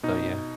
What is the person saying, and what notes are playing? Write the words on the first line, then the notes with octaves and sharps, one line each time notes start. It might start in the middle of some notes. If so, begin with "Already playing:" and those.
So, yeah.
B2 D#4